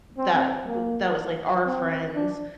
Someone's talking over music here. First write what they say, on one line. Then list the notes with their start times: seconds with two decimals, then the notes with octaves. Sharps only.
that b that was, like, our friends.
0.18 C4
0.67 A#3
1.66 C4
2.15 D4